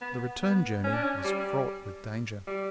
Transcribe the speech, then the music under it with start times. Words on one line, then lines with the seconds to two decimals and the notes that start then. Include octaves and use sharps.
The return journey was fraught with danger.
0.01 B3
0.42 B3
0.84 C#4
0.93 D4
1.03 C#4
1.24 G3
2.47 G3